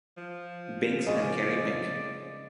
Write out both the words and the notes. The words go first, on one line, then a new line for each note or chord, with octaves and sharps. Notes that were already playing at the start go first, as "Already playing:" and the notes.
Binks and Kerry Pink.
F3
C#3 G#3 D5 D#5